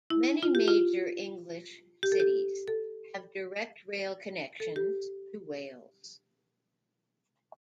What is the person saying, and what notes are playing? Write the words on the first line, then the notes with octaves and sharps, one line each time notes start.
Many major English cities have direct rail connections to Wales.
E4
F4
G4
F4
G4
A4
G4
A4
A4
G4